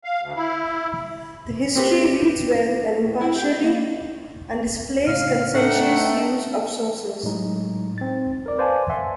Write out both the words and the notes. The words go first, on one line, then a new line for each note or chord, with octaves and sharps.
The history reads well and impartially, and displays conscientious use of sources.
F5
D2
E4
C4 G4 B4
A2
E4
G4
D#5
A#3
A2 C#3 F5
A3 D4 D#4 F#5 G5
A2 F#3 G#3 D#4
C4 A6
A#4 D5
B4 C5 D5 F5 G#5 A5
E5 F#5 G#5 C6